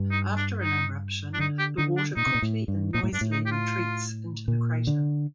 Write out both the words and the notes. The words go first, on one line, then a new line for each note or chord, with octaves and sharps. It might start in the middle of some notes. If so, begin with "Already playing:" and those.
After an eruption, the water quickly and noisily retreats into the crater.
Already playing: G2
D#4
D4
D#4
D4
D3 D#4
G4
D3 D#4
D4
A#2 D#4
C3
A#2
A2
G2
A#2 D#4
A2
G2 D4
A2
D#4
G4
F4
A#2
D3